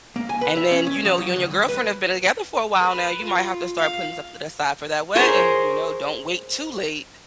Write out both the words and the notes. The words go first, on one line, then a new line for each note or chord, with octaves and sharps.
And then, you know, you and your girlfriend have been together for a while now. You might have to start putting something aside for that wedding, you know, don't wait too late.
A#3
G#5
B4
E5
C#4
C#4
F3
F#3
D2
G3
B4
B4
F4
F5
G#4 A#4 C5 C#5